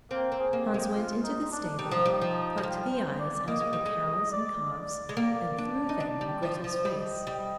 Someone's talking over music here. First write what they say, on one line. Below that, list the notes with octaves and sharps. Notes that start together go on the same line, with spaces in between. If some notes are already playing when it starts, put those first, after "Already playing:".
Hans went into the stable, plucked the eyes out of the cows and calves, and threw them in Grettel's face.
A#3 C4
C4
G#4
A#3
G4
G#3
F4
D#4
D4
G3 D#4
F3
G3
F3
G#3
G3 F4
C5
D5
A#3 D#5
G#3
G3
G#3
D5
D5
G#3
A#3
D4
D#4
D4
G3
F3
F3
G3 D#5
G3